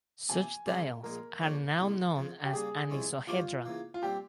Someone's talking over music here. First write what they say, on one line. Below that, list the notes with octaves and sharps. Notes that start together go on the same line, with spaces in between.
Such tiles are now known as anisohedral.
C3 F3 A#3 G#5
C#3 G3 C4 G4 A#4
A#1 A#2 G#3 A#4
C#3 F3 A#3 C#4
C2 A#2 G#3
F2 C#3 F3
G4
C#3 G3 A#3 G#4
C2 C3 F3 G#3 C#4
G2 G3 C#4 F4 G4 C5
C#3 E3 A#3
F4
A#2 G3 C4 G4